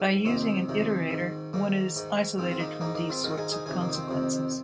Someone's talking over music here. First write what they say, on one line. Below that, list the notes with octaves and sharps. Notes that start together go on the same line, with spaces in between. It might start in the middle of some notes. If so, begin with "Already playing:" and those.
By using an iterator one is isolated from these sorts of consequences.
Already playing: G#2
F2 C3 D#3 C4
F2 C3 D#3
G#2 D#3
G#2 D#3 A#3
G#2 D#3
G#2 D#3 C4
F4
A#3 D#4
G#2 D#3 A#3 D#4
A#3 D#4
C4 F4
G#2 D#3 F4 A#4
D#4 G#4
D#4 G#4
F2 C3 D#3 D#4 G#4
A#3
D#4
C4
F2 C3 D#3